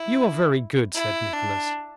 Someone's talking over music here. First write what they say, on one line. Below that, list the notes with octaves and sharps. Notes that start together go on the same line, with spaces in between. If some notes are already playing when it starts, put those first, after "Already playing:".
'You are very good,' said Nicholas.
Already playing: E4
E4
D4